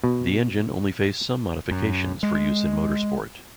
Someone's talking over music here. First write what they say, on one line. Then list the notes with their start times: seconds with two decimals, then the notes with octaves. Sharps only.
The engine only faced some modifications for use in motorsport.
0.04 B2
1.71 F#2
2.23 G#3